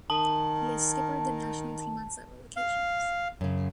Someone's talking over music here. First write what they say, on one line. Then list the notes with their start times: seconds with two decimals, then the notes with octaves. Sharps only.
He has skippered the national team on several occasions.
0.10 D#3 A5
2.57 F5
3.41 F#2 C#3